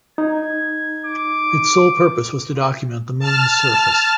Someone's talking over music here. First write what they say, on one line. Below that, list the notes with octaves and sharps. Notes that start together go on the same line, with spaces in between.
Its sole purpose was to document the Moon's surface.
D#4 G#6
D6
A5 F6